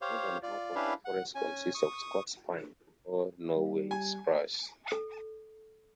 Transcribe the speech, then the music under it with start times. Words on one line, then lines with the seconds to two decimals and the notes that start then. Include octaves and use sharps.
More than half of the forests consist of Scots pine or Norway spruce.
0.02 G4 C5 C#5 F5
0.43 F4 D5
0.75 C#4 D4 E4 G4 B4 F5
1.05 F#5
1.35 C#4 G#5
1.75 C#6 D#6
3.56 G3
3.91 G#5
4.92 A4